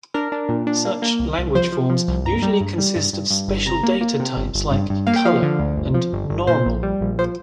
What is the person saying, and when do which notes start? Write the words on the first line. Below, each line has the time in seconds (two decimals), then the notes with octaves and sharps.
Such language forms usually consist of special data types, like "color" and "normal".
0.14 D4 A#4
0.32 D4
0.49 A#2
0.67 D4
0.85 A#3
1.02 A#3
1.19 C2
1.38 C2
1.55 F3 C5
1.72 F3
1.90 F3
2.08 C2
2.25 G2 A#5
2.42 G3
2.60 G2
2.78 G3
2.96 G2
3.13 G2
3.31 G2
3.48 G1
3.66 C3 A#5
3.83 A#3
4.01 A#3
4.20 C3
4.37 G1
4.54 G1
4.71 G2
4.90 G2
5.07 A#3 F5
5.16 G5
5.25 F3 F5
5.42 D3
5.59 D2
5.77 G1
5.94 F3
6.13 G1
6.30 G1
6.47 A#2 C5
6.66 A#1
6.83 G3
7.01 A#1
7.19 F3 C5